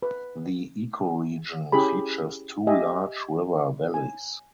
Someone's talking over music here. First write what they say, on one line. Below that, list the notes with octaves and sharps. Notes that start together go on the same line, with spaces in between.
The ecoregion features two large river valleys.
B4
C#4 E4 G4 G#4 B5
G4 D#5 E5 G#5
G#5